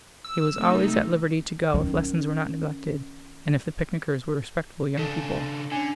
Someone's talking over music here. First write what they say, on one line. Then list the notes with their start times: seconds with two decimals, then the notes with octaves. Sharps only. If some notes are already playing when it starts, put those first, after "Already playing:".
He was always at liberty to go if lessons were not neglected, and if the picnickers were respectable young people.
0.25 E6
0.54 C3 A3 D#4
1.74 D#3 C#4
4.99 C#3 D4 A4
5.72 D3 C#4 G#5